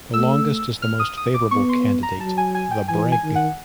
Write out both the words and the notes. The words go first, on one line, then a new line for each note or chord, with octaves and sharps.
The longest is the most favorable candidate: the Breg.
A3 E6
F6
D#6
D#6
D6
B3 C#6
C6
A#5
F#3 A5
G#5
G#5
G5
E3 G#5
G#5
D#3
F#5